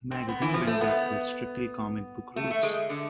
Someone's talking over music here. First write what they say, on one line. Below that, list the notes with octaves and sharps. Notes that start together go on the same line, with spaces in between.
The magazine went back to its strictly comic book roots.
C4
B3
E3
F3
A3
B3
A3
A3
G#3
D3